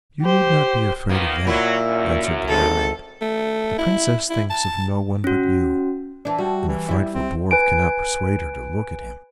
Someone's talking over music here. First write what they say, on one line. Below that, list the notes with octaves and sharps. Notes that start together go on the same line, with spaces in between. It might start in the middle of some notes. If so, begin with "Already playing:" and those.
"You need not be afraid of that," answered the Mermaid, "the Princess thinks of no one but you, and the frightful Dwarf cannot persuade her to look at him."
G4 C5
D#3 F3 A#3 B3
A#2 F#3 E4
F#2
G#1 A4
A3
E4
E4
A5
C#4 F#4
E3 D4
G3 F#4
E3
G3 E4
C4
B4 G#5 D7